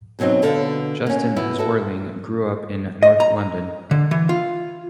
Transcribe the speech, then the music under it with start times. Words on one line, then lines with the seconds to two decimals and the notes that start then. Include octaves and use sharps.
Justine Zwerling grew up in North London.
0.19 F#2 B2 F#3 C4 D#4
0.42 B2 D3 A4 F5
1.06 A#3 C#4
1.36 B2 B3 E4
1.58 F#4 A4 E5
3.03 D#5
3.20 A#5
3.91 D3
4.11 E3
4.29 F4